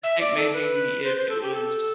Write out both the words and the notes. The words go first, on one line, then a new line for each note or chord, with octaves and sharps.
I think maybe if it was
E5
D5
A4
B4
C5
C5
A4
G4
A4